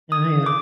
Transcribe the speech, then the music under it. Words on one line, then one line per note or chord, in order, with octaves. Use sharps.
Oh, yeah.
D#6
D6